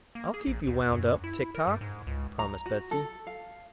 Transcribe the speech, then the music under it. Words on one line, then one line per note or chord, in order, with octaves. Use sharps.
"I'll keep you wound up, Tik-Tok," promised Betsy.
A#3
G#4
A#1
D#2
F#2
E4
A#4
G2
G#2
C#2
A#5
F#4
A4
F5